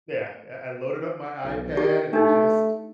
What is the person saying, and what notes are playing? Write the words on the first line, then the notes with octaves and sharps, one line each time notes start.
Yeah, I I loaded up my iPad and just
B1
D#3 G4
A3 D4 D#4